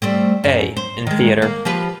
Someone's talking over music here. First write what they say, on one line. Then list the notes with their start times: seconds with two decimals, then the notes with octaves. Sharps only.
A. in theatre.
0.02 G3 A3 C4
0.44 F#2
0.77 C5
1.07 D#3 G#3
1.42 A#3
1.65 F3 G4 B4